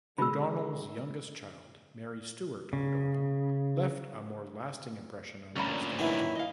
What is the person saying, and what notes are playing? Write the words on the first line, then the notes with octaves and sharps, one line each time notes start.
O'Donnell's youngest child, Mary Stuart O'Donnell, left a more lasting impression on posterity.
D3 G#3 B5 E6
C#3
D2 A#2 C#4 A#5 B5
D#3 E3 F#3 E4
D#5 F5